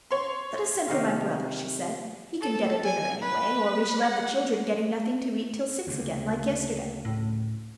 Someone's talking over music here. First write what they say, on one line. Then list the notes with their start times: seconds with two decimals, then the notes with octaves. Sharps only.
"Let us send for my brother," she said; "he can get a dinner anyway, or we shall have the children getting nothing to eat till six again, like yesterday."
0.11 C#5 C6
0.88 C3 D#3 F5
2.41 A4
2.84 G#5
3.21 B4
4.01 F#5
5.87 D2 C#3
7.05 A2